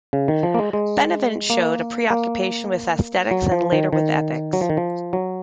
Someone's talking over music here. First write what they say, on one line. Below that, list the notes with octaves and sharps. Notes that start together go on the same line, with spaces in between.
Benavente showed a preoccupation with aesthetics and later with ethics.
C#3
D#3
F3
A#3
G#3
G#3
A#3
A#3
F#3
F3
D#3
D#3
F#3
F3
D#3
F3
F#3